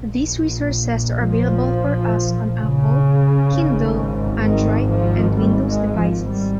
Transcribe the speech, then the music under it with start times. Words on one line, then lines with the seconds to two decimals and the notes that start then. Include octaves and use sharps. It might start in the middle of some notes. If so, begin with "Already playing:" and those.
These resources are available for us on Apple, Kindle, Android, and Windows devices.
Already playing: A#1 A#2
1.17 F3
2.57 C#3
3.50 G#1 G#2
4.43 D#3
4.89 F3
5.36 G3
5.66 G#3
5.97 F3
6.29 G3